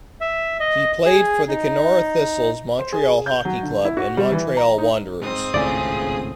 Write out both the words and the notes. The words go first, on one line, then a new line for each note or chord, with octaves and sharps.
He played for the Kenora Thistles, Montreal Hockey Club, and Montreal Wanderers.
E5
D#5
G#4
D#4
C5
G#4
G6
F#3
D3
E4
F#4
G3
E3
A#5
D#4
G#2 C4 D#6
G#1 C#2 A2 G#4 D5 F5 G#5